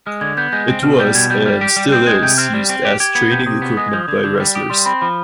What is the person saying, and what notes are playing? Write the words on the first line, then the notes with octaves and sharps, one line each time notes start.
It was and still is used as training equipment by wrestlers.
G#3 F6
D3 G#6
B3 G6
G#3 G6
C4
B2 F6
G3 G6
B2 G#6
G3 G6
G3 F6
G4
G3
C4 G6
G#3 G#6
C3 G6
C4 F6
G3
C4
G4
G4 G#6
B3 G#6
C3 G6
C3 D#6
B3
G#3 D#6
G#6
F3 G6
D3 G#6
D3 G6
G3 F6
G4 D#6
G3 C6
C6
C4 B5
F3 B5